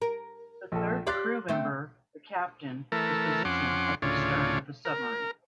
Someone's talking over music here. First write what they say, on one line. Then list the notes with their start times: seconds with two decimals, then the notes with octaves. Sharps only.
The third crew member, the captain, was positioned at the stern of the submarine.
0.02 A#4
0.72 A#1 A4
1.07 G4 D5 F5 C6 F#6 A6
1.49 A3 C4
2.92 E3 A3 A4 A#4
3.45 F2 C#4 F#5 C6 D6
4.02 D2 A2 C#3 F4 C#5 D5
4.85 A#4